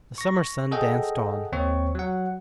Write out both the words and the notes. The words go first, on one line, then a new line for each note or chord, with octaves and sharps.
The summer sun danced on.
C#6 A#6
G#4 A4 D#5 F#5 G5
D#2 C4 C#5 C#6
F#3 F#5